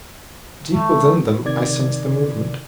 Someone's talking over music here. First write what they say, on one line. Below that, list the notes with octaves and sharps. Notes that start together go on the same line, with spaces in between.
Deep within them I sensed a movement.
D#3 E3 G#3 A3
C3 D#3 D5 G#6